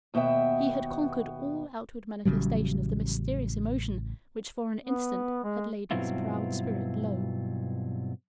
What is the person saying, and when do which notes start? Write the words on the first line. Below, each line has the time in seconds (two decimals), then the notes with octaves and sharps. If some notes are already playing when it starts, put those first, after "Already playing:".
He had conquered all outward manifestation of the mysterious emotion which for an instant had laid his proud spirit low.
0.14 D#2 B2 B3 E5 G5
2.25 A1 C#3 F#3 G3
4.85 B3
5.44 G#3
5.91 G2 B2 F#3 C4 E4 F4